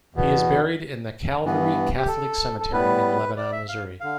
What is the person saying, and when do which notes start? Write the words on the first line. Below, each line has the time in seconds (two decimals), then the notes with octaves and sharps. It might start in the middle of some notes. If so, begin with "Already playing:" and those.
He is buried in the Calvary Catholic Cemetery in Lebanon, Missouri.
0.14 E2 B2 B3
1.44 G2 E3 B3
1.97 G4
2.07 A4
2.60 A4
2.72 A2 G3 B3 B4
3.37 D5
3.52 E5
3.69 F5
4.00 D3 F5